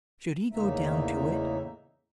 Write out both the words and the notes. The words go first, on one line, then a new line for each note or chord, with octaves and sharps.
Should he go down to it?
E2 A2 C#3 A#3 D#4 E5